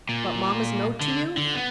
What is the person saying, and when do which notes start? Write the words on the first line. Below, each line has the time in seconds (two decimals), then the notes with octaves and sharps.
"But mamma's note to you?"
0.09 A#2
1.01 D3
1.37 D3
1.55 B3